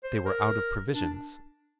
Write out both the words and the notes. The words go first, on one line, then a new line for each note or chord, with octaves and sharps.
They were out of provisions.
C5
A#4
D4